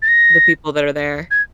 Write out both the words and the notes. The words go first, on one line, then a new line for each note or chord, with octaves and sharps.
The people that are there.
A6
A#6
G#6